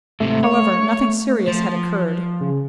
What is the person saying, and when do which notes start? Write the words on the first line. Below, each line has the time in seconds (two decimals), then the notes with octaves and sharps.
However, nothing serious had occurred.
0.20 G#2 C3 A3
0.44 C#5
1.48 F3
2.41 C#3